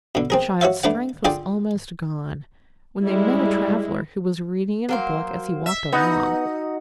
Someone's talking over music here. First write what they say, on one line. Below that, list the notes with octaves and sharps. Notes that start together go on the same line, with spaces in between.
The child's strength was almost gone, when they met a traveler who was reading in a book as he walked along.
B2 D3
C4 G#4 A#4
F#4 C#5 E5 F5
A3 D4 B4 F#5
D3 F4 G#4 D5 G5 C6
G3 G#3 E4
F#3 A#3 C5
E5
B3 D#4 F#4